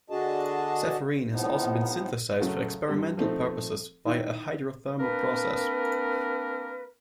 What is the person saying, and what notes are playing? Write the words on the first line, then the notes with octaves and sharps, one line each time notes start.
Sapphirine has also been synthesized for experimental purposes via a hydrothermal process.
D3 D4 F#4 G#4 D#5 A5
A2 C3 F3 B3 D#4
F#2 C#3 A3 F#4
G2 C3
F3 A3 C4 D#4
D#3 E4
A#3 C4 D4 A#4 B4